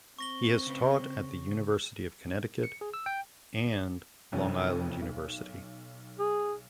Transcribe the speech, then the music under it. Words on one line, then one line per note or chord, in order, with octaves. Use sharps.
He has taught at the University of Connecticut and Long Island University.
C4 C#6 A#6 G7
C#3 B4
C#7
G#4
E6
G5
F1 F2 C#4
B1
G#4